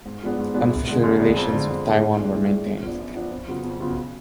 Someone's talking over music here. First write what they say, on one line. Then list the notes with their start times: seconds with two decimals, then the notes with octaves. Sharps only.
Unofficial relations with Taiwan were maintained.
0.05 G#2
0.23 F3 G#3 B3 D4
0.39 G#2
0.54 F3 G#3 B3 D4
0.72 F#2
0.87 D3 G#3 B3
1.03 F#2
1.19 D3 G#3 B3
1.36 F2
1.52 D3 G#3
1.68 F2
1.85 D3 G#3
2.01 A2
2.18 G#3 D4
2.34 A2
2.50 G#3 D4
2.66 F#2
2.83 F3 B3 D4
2.98 F#2
3.15 F3 B3 D4
3.31 F2
3.48 C#3 F#3 B3 F4
3.64 F2
3.80 C#3 F#3 B3 F4